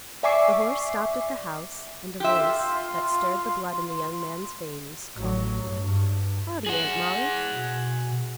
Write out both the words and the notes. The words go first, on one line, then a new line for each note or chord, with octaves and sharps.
The horse stopped at the house and a voice, that stirred the blood in the young man's veins, called, "Howdy, Aunt Mollie."
D5 E5 G#5 C#6 D6 C7
F4 G4 E5 C6
A1 F#3
G2
G#4 F#5
B2